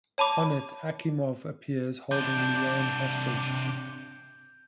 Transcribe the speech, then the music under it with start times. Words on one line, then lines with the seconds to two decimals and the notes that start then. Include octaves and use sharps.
On it, Akimov appears, holding Lee-Ann hostage.
0.18 C#5 A5 B5 D6
2.11 C3 D4 G6